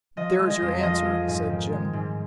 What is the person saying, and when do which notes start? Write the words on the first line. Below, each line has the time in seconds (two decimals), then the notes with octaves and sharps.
"There's your answer," said Jim.
0.17 F3 D#5
0.39 G#3
0.50 D#5
0.62 F2
0.83 F3 D#5
1.05 G#3
1.28 G#2
1.49 D#3
1.72 G#3
1.93 G#2